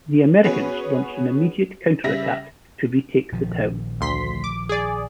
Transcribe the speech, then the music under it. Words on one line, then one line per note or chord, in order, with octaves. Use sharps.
The Americans launched an immediate counterattack to retake the town.
B3 C#4 F#4 G#4 B4 C#5
C#3 G3 E5 A#6
A#1 D#3 F3
D2 C6 B6
D6
G#4 D5